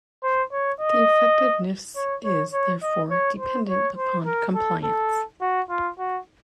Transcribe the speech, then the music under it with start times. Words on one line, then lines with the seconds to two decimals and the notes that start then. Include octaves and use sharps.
The effectiveness is, therefore, dependent upon compliance.
0.23 C5
0.52 C#5
0.81 D#5
1.96 C#5
2.24 C#5
2.53 C#5
2.82 D#5
3.11 C#5
3.39 C5
3.68 C#5
3.97 C5
4.26 A#4
4.55 A4
4.84 A4
5.41 F#4
5.70 F4
5.99 F#4